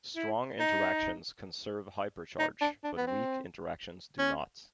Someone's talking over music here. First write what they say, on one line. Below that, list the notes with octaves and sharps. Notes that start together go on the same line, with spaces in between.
Strong interactions conserve hypercharge, but weak interactions do not.
E4
D#4
D#4
D4
D4
B3
C4
C#4